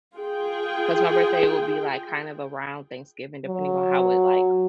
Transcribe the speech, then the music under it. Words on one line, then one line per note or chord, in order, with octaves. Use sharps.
'cause my birthday will be, like, kind of around Thanksgiving, depending on how it, like,
F4 G#4 G5
F#3